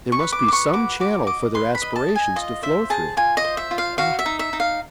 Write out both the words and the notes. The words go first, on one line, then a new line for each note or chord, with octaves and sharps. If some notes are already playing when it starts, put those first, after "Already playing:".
There must be some channel for their aspirations to flow through--- Ah!
C#6
B4
D6
B4 D6
C#6
F#4 D6
F#4 D6
D#5 D6
B4 C6
B5
D#5
A5
D#5
G#5
F4 D#5
C5 E5
G#4 A5
F4 G#5
D#5
C5
E5
F4
F5
F#4 F5
E5
D#4
E5
D#4
F5